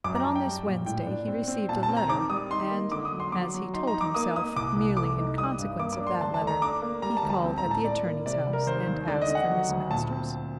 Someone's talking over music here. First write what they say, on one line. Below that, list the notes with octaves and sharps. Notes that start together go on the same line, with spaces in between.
But on this Wednesday he received a letter, and,--as he told himself, merely in consequence of that letter,--he called at the attorney's house and asked for Miss Masters.
F#2 D6
A#5
F#2 A5
G5
G3
A#2
A2 G5
D4
C4
C4
A#2 A5
A5
C4
A#5
D#3 D6
G3 D#6
D#4 C6
A#3
D3 D6
D#6
F#3
C6
F#3 D6
F#3
D#4 C6
A#5
D#4
D6
A#3 D#6
A#3 D#6
C2 D6
C2
A3 D6
D#4
G3 D#6
G2
A#3 D6
D6
D4
C6
D2 A5
A5
A3
A#5
D4 D6
A#3
G3 A#5
A5
D2
A5
C4
A#5
A2
A5
A2 D5
A#3
C3 D5
G3
A#4
D#2 C5
D#2
D3 D5
D#5
D3
F#5
F#3
D2
A#2 A5
C4